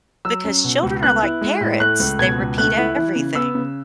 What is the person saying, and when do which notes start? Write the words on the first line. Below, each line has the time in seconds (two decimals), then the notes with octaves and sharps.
Because children are, like, parrots, they repeat everything.
0.25 F#3 E6
0.45 C#4
0.64 B2
0.83 C#2
1.03 B3 F#6
1.22 E4
1.41 G#3
1.61 A2
1.80 A3 F#6
2.00 C#2
2.19 B2 G#6
2.39 C#2
2.58 A3 F#6
2.77 E4
2.96 E3
3.16 C#3
3.35 B3 E6
3.55 C#3